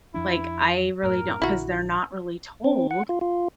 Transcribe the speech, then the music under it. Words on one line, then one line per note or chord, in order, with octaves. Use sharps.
Like, I really don't 'cause they're not really told,
F2 F3 D4 E4
F#2 A2 A#4
A#1 D3 E4 F#4
C4
F#5
F4
F4